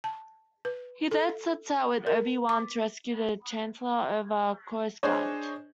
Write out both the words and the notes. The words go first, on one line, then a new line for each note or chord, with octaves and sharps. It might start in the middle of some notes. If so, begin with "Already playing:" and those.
He then sets out with Obi-Wan to rescue the Chancellor over Coruscant.
A5
B4
A4
A#4
D6
D4 G#4 C5 C#5 D#5